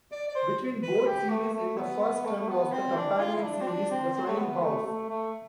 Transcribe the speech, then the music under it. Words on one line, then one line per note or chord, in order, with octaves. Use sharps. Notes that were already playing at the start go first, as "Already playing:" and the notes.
Between both series in the first run was the companion series "The Flying House".
D5
D5
C5
B4
G4
A3
A3
B3
B3
A3
A3
B3
C4
D4
F4
E4
D4
C4
D4
C4
C4
A3
B3
A3
A3
A3